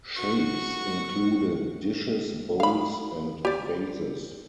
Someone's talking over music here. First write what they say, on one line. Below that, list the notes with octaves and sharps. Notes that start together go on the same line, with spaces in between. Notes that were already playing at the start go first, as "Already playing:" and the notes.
Shapes included dishes, bowls, and vases.
F#4 C#6
F5 B5
G4 D5